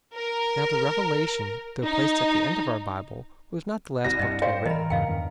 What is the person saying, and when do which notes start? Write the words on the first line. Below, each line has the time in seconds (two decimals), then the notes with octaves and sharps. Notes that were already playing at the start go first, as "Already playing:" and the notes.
Now the 'Revelation,' though placed at the end of our Bible, was not the last Book to be written.
0.15 A#4
1.85 D#4
4.05 C2 A#6
4.19 G2 D#5 G5
4.42 C5 D5 F5 G5
4.66 E3 A#4 D#5 B5
4.90 E2 G#2 C#3 D#5 F5 G5
5.08 E2 G2 D#3